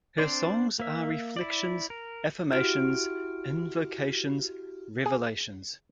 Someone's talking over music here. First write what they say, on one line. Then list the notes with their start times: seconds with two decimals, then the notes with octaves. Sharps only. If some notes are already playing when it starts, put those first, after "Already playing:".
Her songs are reflections, affirmations, invocations, revelations.
0.18 C4 D4 C5 D5
0.80 A#3 E5
1.36 E4 D5
1.90 A#4
2.52 E4 F#4 G4 F6 D7
5.06 G#4